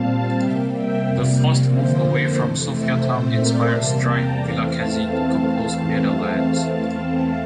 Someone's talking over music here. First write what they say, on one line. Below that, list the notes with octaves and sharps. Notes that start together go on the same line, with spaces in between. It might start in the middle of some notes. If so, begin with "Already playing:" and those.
The forced move away from Sophiatown inspired Strike Vilakezi to compose "Meadowlands".
Already playing: A#2 G3 C4 F5 A5
C3 G3 A#3 E5 G5
E5 G5
F2 C3 G3 A#3
F2 D3 F3 A#3 C5 E5
F2 C3 E3 A3
C5 E5
A#2 A3 C4 C5 E5
A#4 D5
E2 C3 G3 A#3 A5 C6
G5 A#5
E2 E3 A3 C4 D5 F5
F5 A5